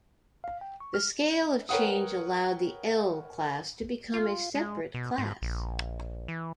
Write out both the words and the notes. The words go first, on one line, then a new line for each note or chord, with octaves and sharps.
The scale of change allowed the L class to become a separate class.
F5
G5
C#6
F6
A#4 B4 C#5 F#5 G5 D#6
F4
G#3
B2
G#2
A#1
E3